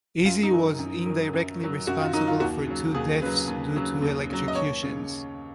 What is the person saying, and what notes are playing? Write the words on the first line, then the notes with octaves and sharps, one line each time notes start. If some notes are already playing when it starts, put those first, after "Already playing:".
Easy was indirectly responsible for two deaths due to electrocutions.
F#2 F4
D#4
D#3 F#3
F#2
D#3 F#3
F#2
D#3 F#3
F#2 F#4
F4
D#3 F#3 D#4
F4
D#2 F#4
C#3 F#3
D#2 G#4
C#3 F#3 B4
D#2
C#3 F#3
D#2
C#3 F#3
D#5
D#2 C#5
C#3